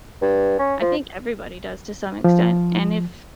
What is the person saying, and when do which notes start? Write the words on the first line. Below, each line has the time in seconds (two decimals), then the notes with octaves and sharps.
I think everybody does to some extent, and if
0.22 G2
0.59 C#4
0.81 F3
2.24 F3